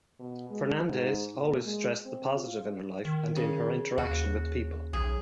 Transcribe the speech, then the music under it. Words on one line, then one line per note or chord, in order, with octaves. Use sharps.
Fernandez always stressed the positive in her life and in her interaction with people.
B2
G#3
G#2
A#2
G#3
C4
F4
D#3
C#3
D#2 F#4
B1 G#4